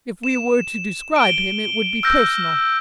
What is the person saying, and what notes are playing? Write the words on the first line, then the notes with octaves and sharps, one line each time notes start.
If we were to describe him it would be personal.
E7
D7 G7
E6 F6 G6 A#6